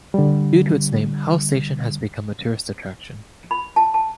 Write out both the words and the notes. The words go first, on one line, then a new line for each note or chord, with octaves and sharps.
Due to its name, Hell Station has become a tourist attraction.
D3 G3
B5
A5
A5